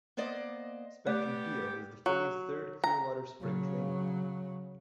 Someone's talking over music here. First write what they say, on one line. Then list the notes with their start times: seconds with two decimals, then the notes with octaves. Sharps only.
Spectrum Field is the Phillies' third Clearwater spring-training home.
0.17 A#3 B3 C5 D5 D#5
1.07 G3 A3 B3 G4 D5
2.06 F#3
2.84 A#5
3.41 C#3 F#3